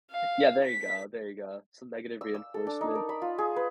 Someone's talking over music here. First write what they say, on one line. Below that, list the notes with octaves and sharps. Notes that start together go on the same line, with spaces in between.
Yeah, there you go, there you go, some negative reinforcement.
F5
B6
E6
E6
A4
D4
D#4
A#4
B5
F4
G#4
B4